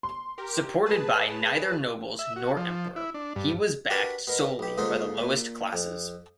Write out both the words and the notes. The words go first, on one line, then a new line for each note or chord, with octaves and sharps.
Supported by neither nobles nor emperor, he was backed solely by the lowest classes.
C6
G4 A#4
G#4 B4 A5
E5
F#4
F3
E4
D4
G2
D4 F#4 G4 A#4 B4
B2 A#4
B1 G4
C#2 A#2 D3 D#4 F4 C5
A#2
F2